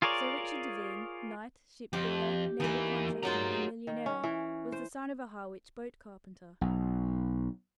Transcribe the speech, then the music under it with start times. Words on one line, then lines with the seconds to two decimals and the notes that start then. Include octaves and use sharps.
Sir Richard Devine, knight, shipbuilder, naval contractor, and millionaire, was the son of a Harwich boat carpenter.
0.02 F4 G#4 A#4 C#5 D5
1.93 F2 G4
2.60 E2 E3 A#3 D#4
3.23 F#3 D#4 F4 G#4 A#5
3.87 D#3
4.06 C#4
4.24 E3
4.72 C5
6.61 B1